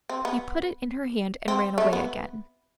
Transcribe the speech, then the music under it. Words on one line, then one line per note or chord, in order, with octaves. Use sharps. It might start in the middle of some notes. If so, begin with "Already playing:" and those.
He put it in her hand, and ran away again.
C4
B3
C4
A3
B3